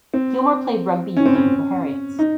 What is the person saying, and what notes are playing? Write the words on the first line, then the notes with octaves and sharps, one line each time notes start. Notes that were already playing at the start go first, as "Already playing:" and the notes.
Gilmour played rugby union for Heriots.
C4
C#4
C4
C#4
D#4